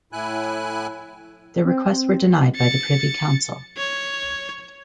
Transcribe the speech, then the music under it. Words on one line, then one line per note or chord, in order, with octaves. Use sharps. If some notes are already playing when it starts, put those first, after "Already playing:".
Their requests were denied by the Privy Council.
A2 E4 G#5 F#6
C4
A6 C#7
C#5